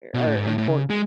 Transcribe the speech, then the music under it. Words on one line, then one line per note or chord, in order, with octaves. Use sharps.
are important
B2
A2
G#2
A2
A2
C#3
G#3